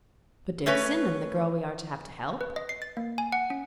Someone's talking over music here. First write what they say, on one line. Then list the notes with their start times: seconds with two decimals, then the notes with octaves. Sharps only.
'But Dixon, and the girl we are to have to help?'
0.66 A3 C#4 B4 C#5
2.41 B4
2.56 D#5
2.69 C7
2.82 A6
2.97 A#3
3.18 G#5
3.32 F#5
3.50 C#4